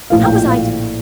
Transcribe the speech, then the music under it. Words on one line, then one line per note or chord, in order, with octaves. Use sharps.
How was I to know?
A#1 A2 F3 A3 F5
G5
G5
F5